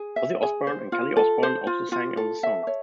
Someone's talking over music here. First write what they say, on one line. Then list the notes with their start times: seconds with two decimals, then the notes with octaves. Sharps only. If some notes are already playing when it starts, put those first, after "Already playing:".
Ozzy Osbourne and Kelly Osbourne also sang on the song.
Already playing: G#4
0.16 E5
0.43 G#4
0.67 C5
0.92 F4
1.17 A4
1.43 C5
1.67 F4
1.92 F4
2.17 A4
2.43 E5
2.67 C#5